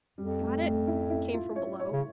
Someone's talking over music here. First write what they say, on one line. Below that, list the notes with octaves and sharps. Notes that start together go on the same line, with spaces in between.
"Got it?" came from below.
F2 G3
A3
A3
E4
E4
F4
C#5
C#5
C#3